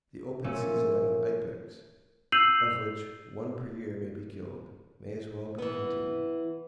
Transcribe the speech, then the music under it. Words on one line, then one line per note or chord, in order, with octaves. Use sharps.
The open season on "ibex," of which one per year may be killed, may as well be continued.
A#2 F3 A3 C#4 A4
E6 G6 C7 D#7 F7 F#7
E3 B3